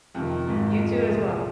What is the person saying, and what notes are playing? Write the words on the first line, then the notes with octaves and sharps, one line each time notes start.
You too as well.
F2 C3 D#3
G#1 G#2 D#3
F2 F3 G#3
C2 A#2 F3 A#3 G#4